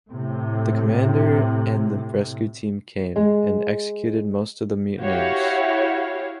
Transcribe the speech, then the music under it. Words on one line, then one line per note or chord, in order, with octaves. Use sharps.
The commander and the rescue team came, and executed most of the mutineers.
A2 C3
G#3
E4 F#4 G4 C#5 F5